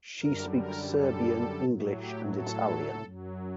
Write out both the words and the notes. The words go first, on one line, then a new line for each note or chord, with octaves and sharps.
She speaks Serbian, English, and Italian.
F#2 D3 G3 A#4
A#4
A4
A2 F#3
G4
A4
F#2 F#3